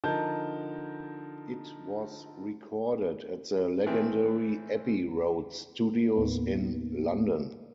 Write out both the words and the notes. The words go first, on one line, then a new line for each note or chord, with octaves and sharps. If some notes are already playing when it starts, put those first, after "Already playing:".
It was recorded at the legendary Abbey Road Studios in London.
D3 F3 D#4 A#4 A5 G6
D#3 E3 A3 C4
D#2 A2 A#3 B3 D#4